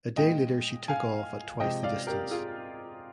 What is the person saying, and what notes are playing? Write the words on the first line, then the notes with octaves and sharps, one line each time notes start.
A day later she took off at twice the distance.
A#2 G#3 D#5 G5
F5 G#5
C3 F3 G#3 D#5 G5
D5 F5
G4 A#4
F4 G#4